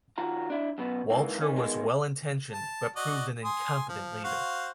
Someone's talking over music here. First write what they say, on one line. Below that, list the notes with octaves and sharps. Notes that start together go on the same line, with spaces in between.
Walcher was well-intentioned but proved an incompetent leader.
D#3 F4 F#4 A#5
D4 E4
F#2 B2 B3
G#2 E3 A#3
D#3 C#4
B2 D#3 G#3
A5
F#4 D5 D#5
G#5 C6 D#6
F3
F#4 C5 F5